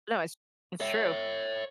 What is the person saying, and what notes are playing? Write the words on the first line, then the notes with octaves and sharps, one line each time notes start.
No, it's it's true.
C#5 E5